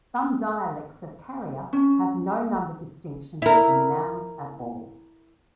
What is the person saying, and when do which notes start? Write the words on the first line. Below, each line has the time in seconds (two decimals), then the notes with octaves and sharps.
Some dialects of Carrier have no number distinctions in nouns at all.
1.73 C#4
3.42 E4 A#4